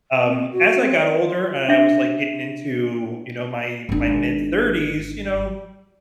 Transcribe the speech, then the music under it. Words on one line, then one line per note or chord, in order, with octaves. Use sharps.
um, as I got older and I was, like, getting into, you know, my my mid-thirties, you know,
C4
F#4
C4
D5
F4
D4 E5
G#1 D4